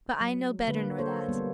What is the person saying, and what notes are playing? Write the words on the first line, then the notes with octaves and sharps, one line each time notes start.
But I know better nor that.
F#3
D3 A#3 B4
A#3 A4 C5 C#5
G3 A#3 B3